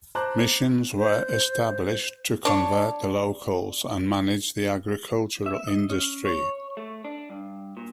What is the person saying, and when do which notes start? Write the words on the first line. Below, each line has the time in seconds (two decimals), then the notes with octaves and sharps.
Missions were established to convert the locals, and manage the agricultural industry.
0.15 C5 A5 A#5 C6 D6 F#6
0.98 C5
2.45 D4 C#5
5.46 E5
5.67 D#5
5.90 C#4
6.25 C#5
6.77 A3
7.05 D4
7.30 G2
7.77 A#2